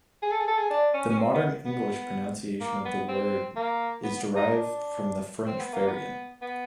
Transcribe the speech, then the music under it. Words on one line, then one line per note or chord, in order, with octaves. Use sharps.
The modern English pronunciation of the word is derived from the French variant.
G#4
A4
G#4
A4
G#4
D4
C#4
C#4
C4
B3
B3
A#3
B3
C4
A#3
B3
D#4
D4
C4
B3
A#3
B3
B3